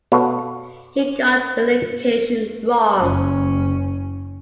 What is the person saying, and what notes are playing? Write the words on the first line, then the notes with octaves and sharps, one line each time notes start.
He got the location wrong.
B2 B3 A4 C#5 F5
F#1 C#4